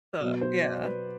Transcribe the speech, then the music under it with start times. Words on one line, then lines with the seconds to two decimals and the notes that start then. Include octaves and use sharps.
But, yeah.
0.20 B2 F#3 B3
0.41 C5
0.63 D5
0.84 B4